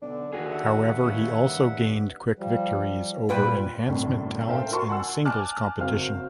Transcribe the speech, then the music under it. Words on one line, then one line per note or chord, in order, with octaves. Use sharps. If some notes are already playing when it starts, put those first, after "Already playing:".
However, he also gained quick victories over enhancement talents in singles competition.
B1 D3 D4
D#2 D3 E3 F#4 G#4
D3 E5 F#5
G2 C#3
F3 G3
A#2 G3 B4 G5
G1 F#2 A2 C3
A4 A#4 C5 E5 F5 G5
F4 F#4 A#4 A5 C6 C#6
F#5 G#5 A5 C6 E6
G#5 A5 D6 F6 F#6
F#1 C4 F#4 F5 F6